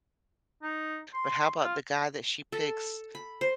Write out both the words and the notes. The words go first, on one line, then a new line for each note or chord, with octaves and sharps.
But how about the guy that she picks
D#4
C6
F4
A4
B5
C5